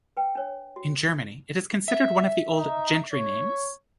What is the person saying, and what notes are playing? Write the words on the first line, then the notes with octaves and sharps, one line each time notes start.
In Germany it is considered one of the old "gentry names".
B4 G5
D4 C#5
F#4
E5
D#4
C#5